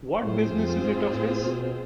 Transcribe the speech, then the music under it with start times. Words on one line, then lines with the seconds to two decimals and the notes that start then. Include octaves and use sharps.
What business is it of his?
0.22 A2 C4 F4 G#4 C5
0.52 F2
0.83 G#2
1.13 A2
1.43 B2